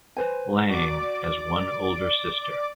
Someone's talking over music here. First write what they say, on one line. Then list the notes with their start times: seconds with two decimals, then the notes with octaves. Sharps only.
Lang has one older sister.
0.17 B4 C5 G#5
0.70 F#4 D5 D6